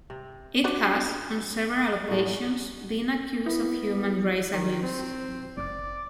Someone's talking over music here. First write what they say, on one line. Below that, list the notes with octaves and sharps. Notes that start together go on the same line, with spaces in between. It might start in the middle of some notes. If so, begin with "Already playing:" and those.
It has, on several occasions, been accused of human rights abuses.
C3
D4 F#4 C5
A2 F#3 G#3
B3 E4
D#3
C4
F#1 D5